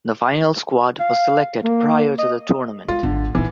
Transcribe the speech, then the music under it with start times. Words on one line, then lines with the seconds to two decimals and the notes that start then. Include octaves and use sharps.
The final squad was selected prior to the tournament.
1.00 F5
1.64 A#3
2.19 D#5
2.88 G#3 F4
3.03 G#1 D3
3.35 A#2 E3 D#4